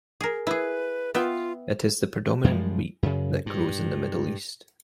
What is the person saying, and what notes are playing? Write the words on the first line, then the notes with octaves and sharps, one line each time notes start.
It is the predominant wheat that grows in the Middle East.
G#4 A#4
E4 G#4 B4
B3 F4 E5 G5
F#2 F3 G3 G#3
F#2 C#3
G2